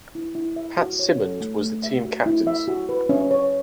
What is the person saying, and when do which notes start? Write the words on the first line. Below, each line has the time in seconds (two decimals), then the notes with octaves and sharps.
Pat Simonds was the team captains.
0.15 E4
0.35 E4
0.56 E5
0.77 F#4
0.99 C#5
1.19 A4
1.41 A3
1.62 A3
1.83 E5
2.05 F#4
2.26 E4
2.47 E5
2.68 F#4
2.89 B4
3.09 C#4
3.31 C#5